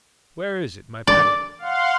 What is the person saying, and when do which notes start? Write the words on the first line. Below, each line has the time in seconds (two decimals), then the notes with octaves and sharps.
"Where is it, my packet?"
1.07 D5
1.58 F5 F#5 C6